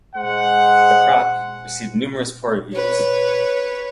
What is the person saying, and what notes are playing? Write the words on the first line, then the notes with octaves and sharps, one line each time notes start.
"The Crop" received numerous poor reviews.
G#3 C5 F#5
B4 C#5